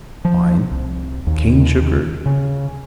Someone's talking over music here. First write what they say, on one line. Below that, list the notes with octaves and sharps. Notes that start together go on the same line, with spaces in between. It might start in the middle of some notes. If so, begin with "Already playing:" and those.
Wine. Cane sugar.
F3
C2
D#2
C#3